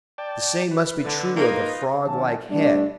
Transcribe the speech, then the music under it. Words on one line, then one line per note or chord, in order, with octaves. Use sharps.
The same must be true of the froglike head.
D5 G5 A5
B4
D3 A6
A#3 D#4 F4
D#3 F#3 C#4 A5
G3 A3 B3 D4